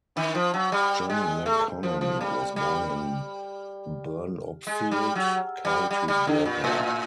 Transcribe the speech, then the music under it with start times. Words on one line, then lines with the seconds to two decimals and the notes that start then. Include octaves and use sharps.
Jim McConnon was born in Burnopfield, County Durham.
0.17 D#3
0.35 F3
0.54 F#3
0.72 G3
1.09 G#3
1.46 A3
1.83 F3
2.01 F3
2.20 G3
2.56 G3
4.67 G#3
4.91 G3
5.15 F#3
5.65 G3
5.91 G3
6.08 G3
6.27 D3
6.45 A#2
6.64 A2